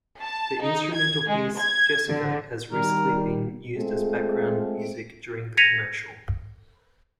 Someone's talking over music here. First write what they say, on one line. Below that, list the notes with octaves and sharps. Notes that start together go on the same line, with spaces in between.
The instrumental piece "Jessica" has recently been used as background music during the commercial.
A5
D#4
G#6
G#3
G#6
D3
D#3 G3 A#4
G#3 A3 C4 F4 G#4 A4
G#6 A#6 B6 C#7 D#7 F7